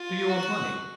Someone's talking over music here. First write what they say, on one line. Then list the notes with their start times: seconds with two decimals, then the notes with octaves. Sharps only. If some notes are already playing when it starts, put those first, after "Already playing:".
Do you want money?
Already playing: F4
0.30 F#4